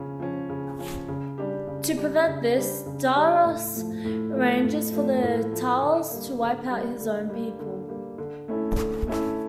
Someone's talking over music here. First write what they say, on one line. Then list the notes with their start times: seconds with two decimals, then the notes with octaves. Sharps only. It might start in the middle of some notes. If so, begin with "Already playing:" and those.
To prevent this, Davros arranges for the Thals to wipe out his own people.
Already playing: C#3 F3 C#4
0.20 F3 C#4
0.49 C#3
0.79 F3 C#4
1.08 C#3
1.38 G3 D4 G4
1.67 C#3
1.97 G3 D4 G4
2.27 C#3
2.57 G3 D4 G4
2.86 C#3
3.16 G3 D4 G4
3.45 A2
3.75 F3 A3
4.05 A2
4.34 F3 A3
4.63 A2
4.93 F3 A3
5.23 A2
5.52 F3 A3
5.82 D3
6.11 G3 A#3
6.41 D3
6.70 G3 A#3
7.00 D3
7.29 G3 A#3
7.59 D3
7.89 G3 A#3
8.18 D3
8.48 A3 C#4 E4 A4
8.77 D3
9.07 A3 C#4 E4 A4